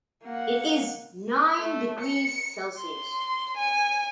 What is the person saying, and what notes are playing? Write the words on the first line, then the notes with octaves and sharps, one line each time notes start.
It is nine degrees Celsius.
A#3 F#5
A3
C#7
C6
G#5